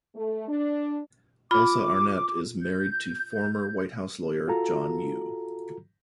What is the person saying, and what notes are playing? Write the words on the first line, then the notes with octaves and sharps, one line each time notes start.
Elsa Arnett is married to former White House lawyer John Yoo.
A3
D4
F4 B5 D6
G6
F4 F#4 A4 A#5